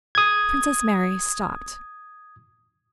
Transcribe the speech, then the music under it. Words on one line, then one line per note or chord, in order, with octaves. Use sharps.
Princess Mary stopped.
D#6 G#6